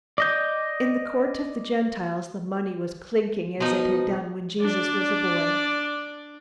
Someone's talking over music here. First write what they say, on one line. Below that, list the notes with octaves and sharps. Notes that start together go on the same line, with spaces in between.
In the Court of the Gentiles the money was clinking as it had done when Jesus was a boy.
D5 D#5 G6
B2 F3 D#4
D4 D5